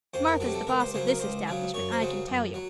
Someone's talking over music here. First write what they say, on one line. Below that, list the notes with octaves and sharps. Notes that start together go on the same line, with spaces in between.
Martha's the boss of this establishment I can tell you.
F2 C5
A#4
F#3 A4
C3
A4
C#2 A#4
C5
C#3 F#3 C5
A#4
C#2 C5
C#3 F#3
F#2 C#5
C5
C#3 F#3
F#2
F#3